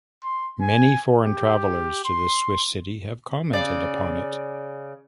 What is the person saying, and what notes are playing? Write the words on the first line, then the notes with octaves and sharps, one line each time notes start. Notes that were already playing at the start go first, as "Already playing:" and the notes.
Many foreign travellers to this Swiss city have commented upon it.
C6
G#5
G4
C6
C#3 D5